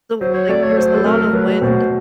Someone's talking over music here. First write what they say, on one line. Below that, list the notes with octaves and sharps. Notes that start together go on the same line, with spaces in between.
so, like, there was a lot of wind.
F#3 C5
C#5
A3 D5
C#5
F#3 C5
A4
A3 A#4
F#3 B4
B2 C5